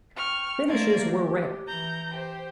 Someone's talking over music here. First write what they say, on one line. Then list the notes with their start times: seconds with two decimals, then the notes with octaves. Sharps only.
Finishes were rare.
0.16 G5 C#6 F6
0.66 A3 A#3 C5 D5 G#6
1.04 G4
1.67 E3 A#5 G6
2.11 G4 C5